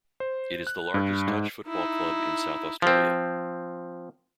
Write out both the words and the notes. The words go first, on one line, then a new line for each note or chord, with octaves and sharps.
It is the largest touch football club in South Australia.
C5
F#6
G2
G#2
D#4 E4
F3 C4